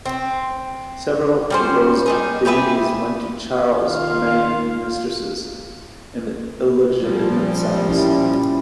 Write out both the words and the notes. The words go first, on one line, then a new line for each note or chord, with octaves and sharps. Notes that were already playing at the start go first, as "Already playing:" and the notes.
Several of those dignities went to Charles' many mistresses and illegitimate sons.
C4
G3 C#4 C5
G3 D#4 G#4
G4 G#4 B4 E5
D#3 F4 F5
A#2 F3 G3
C#4 E4 G4